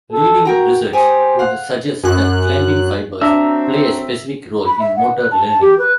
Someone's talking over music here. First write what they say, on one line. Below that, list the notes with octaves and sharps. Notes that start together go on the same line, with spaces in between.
Leading research would suggest that climbing fibers play a specific role in motor learning.
A4
F#4 A#4 G5 A#5
G4 C5 G#5 D#6
F5 F#5
F#2 F#6
F#3 C4 D4 E5 A#5 E6
B5
E5
F#5
B4
A5
A5
G4
B4